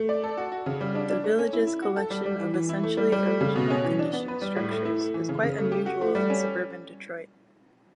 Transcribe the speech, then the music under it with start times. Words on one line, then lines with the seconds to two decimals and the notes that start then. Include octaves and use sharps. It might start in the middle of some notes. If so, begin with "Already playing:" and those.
The village's collection of essentially original-condition structures is quite unusual in suburban Detroit.
Already playing: A3
0.09 D5
0.23 A4
0.37 F#4
0.52 F#4
0.66 C#3
0.81 G3
0.95 D4
1.10 D4
1.24 A3
1.39 C#4
1.53 E4
1.67 E4
1.82 F#4
1.96 A4
2.10 G3
2.26 G3
2.40 E3
2.54 E3
2.69 E4
2.83 A3
2.97 G3
3.12 G3
3.26 A3
3.41 C#3
3.55 B2
3.70 C#4
3.85 E3
3.99 D4
4.13 B3
4.28 B4
4.42 G3
4.56 A2
4.71 A3
4.85 E4
5.00 A3
5.14 E3
5.29 C#3
5.43 C#3
5.58 A3
5.72 G4
5.86 F#4
6.01 A3
6.15 G3
6.30 C#4